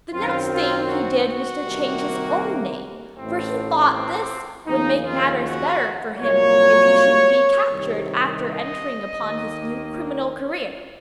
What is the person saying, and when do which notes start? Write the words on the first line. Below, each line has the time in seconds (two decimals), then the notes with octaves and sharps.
The next thing he did was to change his own name, for he thought this would make matters better for him if he should be captured after entering upon his new criminal career.
0.13 F#2 D#3 F#3 C4 F4
0.51 F4
0.88 F#4
1.26 F#4
1.64 C2 C3 D#3 A#3
3.15 A1 A2 A3 C4
3.91 C4
4.66 D#2 C#3 F3 D#4
5.05 F4
5.42 F#4
6.18 C2 A#2 F#3 A#3 C#5
7.68 C2 C3 D#3
8.45 D#5
9.20 D#2 D#3 A#3